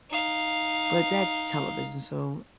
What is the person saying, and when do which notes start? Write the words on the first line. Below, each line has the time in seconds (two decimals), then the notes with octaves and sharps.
But that's television, so
0.11 D#4 F5